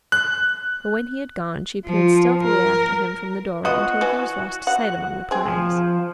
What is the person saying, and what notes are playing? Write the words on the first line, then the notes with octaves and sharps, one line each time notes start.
But when he had gone she peered stealthily after him from the door until he was lost to sight among the pines.
F#6
F3
A#4
B3 F4 F#4 D#5
E3
F#5
C4 G#4
F3